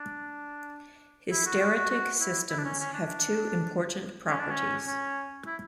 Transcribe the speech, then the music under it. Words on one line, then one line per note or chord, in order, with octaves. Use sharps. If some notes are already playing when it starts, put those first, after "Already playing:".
Hysteretic systems have two important properties.
Already playing: D4
E4
F#4
F#4
F#4
F#4
E4
E4
D4
C#4
C#4
D4
C#4
D4
C#4
C#4
E4